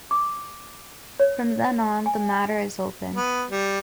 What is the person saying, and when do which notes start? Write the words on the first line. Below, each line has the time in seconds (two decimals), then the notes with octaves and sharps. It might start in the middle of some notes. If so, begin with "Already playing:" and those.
From then on, the matter is open.
0.11 D6
1.20 C#5
2.06 G#5
3.15 B3
3.50 G3